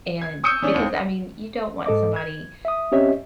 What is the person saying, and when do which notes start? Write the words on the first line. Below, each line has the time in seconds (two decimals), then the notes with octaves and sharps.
And because, I mean, you don't want somebody
0.22 G#6
0.44 C#6 D#6 E6 G6 C#7 D#7
0.62 E3 C#4 D4
0.74 D#2 C4
1.86 G#2 A4 D#5 D6
2.16 G#6
2.65 E5 D#6
2.92 C4 C#4 G4 C#5 D#5 E5